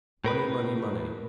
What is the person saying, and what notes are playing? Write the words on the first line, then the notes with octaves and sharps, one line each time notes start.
"Money, money, money!"
A2 A#4 B4